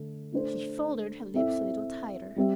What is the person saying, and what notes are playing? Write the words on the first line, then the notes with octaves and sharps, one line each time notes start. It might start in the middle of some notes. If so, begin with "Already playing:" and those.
She folded her lips a little tighter.
Already playing: D3 A3
A3 D4 C5
C4 E4 A4 E5
G3 C4 G4 E5